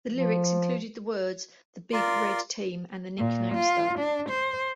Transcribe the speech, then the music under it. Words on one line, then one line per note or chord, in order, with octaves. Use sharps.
The lyrics included the words "the big, red team," and the nickname stuck.
F3
F4 A#4 D5 C6
A#2
F4
D4
C5